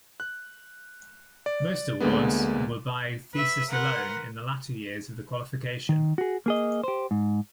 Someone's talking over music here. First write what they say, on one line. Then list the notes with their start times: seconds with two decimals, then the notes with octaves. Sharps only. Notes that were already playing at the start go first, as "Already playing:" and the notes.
Most awards were by thesis alone in the latter years of the qualification.
0.20 F#6
1.46 D5
2.00 D2 D3 G#3 A#3 B3
3.34 B4 E5
3.69 A#4 B4 F#5 A#5 C6
5.89 D#3
6.18 F#4 G#4
6.46 A#3 G#4 D#5
6.84 G4 C5
7.11 G#2